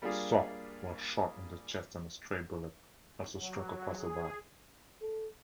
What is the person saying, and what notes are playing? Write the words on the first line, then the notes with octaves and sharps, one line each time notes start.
Soh was shot in the chest and a stray bullet also struck a passerby.
G3 A#3 D4 F4 G#4
F#3
G#4
A4